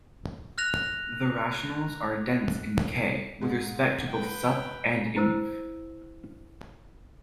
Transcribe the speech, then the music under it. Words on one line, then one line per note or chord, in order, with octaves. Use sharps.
The rationals are dense in "K" with respect to both sup and inf.
F6 F#6 A#6 F7
G#2 G#3
B4 G5
E4 C5 E6